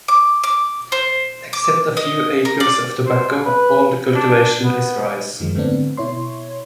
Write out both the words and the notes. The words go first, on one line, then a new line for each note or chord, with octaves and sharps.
Except a few acres of tobacco, all the cultivation is rice.
D6
D6
C5
D6
D#5
A#4
D5
C5
B4
D4
B3
F#2 D#3 F3 G#3
G#2 D3 A3 B3 C4 D4
B2 E4 C#5 C6